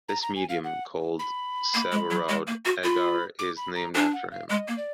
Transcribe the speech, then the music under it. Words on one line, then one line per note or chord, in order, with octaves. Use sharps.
This medium, called Sabouraud agar is named after him.
A#5
A#5
G#5
F5
F#5
B5
A#3
G#3
F#3
G#3
A#3
F#4
F4 B5
D6
B5
A#5
D4 G#5
F#5
F5
G#3 D#5
A#3
D5